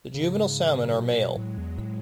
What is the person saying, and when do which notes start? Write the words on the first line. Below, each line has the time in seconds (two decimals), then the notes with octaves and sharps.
The juvenile salmon are male.
0.14 G#2 C#3
0.55 F#3
0.95 B2
1.37 A2 G#3
1.58 E2
1.78 A2